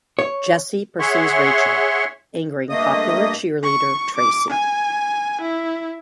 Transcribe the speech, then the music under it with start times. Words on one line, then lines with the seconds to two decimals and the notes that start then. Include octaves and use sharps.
Jesse pursues Rachel, angering popular cheerleader Tracy.
0.19 C#5
0.99 G#4 C#5 E5 F#5 C6 C#6
2.69 G2 A3 A#3 D#5 D#6
3.63 C#6
4.16 D6
4.50 G#5
5.41 E4